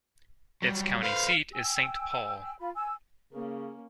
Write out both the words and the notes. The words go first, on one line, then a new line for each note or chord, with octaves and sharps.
Its county seat is Saint Paul.
F#3 G3
A4 B4 C5 F5
G5 G#5 E6
F4 B5
G#5 E6
C#3 A#3 C#4